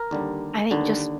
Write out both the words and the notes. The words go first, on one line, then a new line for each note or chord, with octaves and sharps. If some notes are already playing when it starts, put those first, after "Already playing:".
I think just
Already playing: A#4
D#2 D3 G3
D#2 D3 G3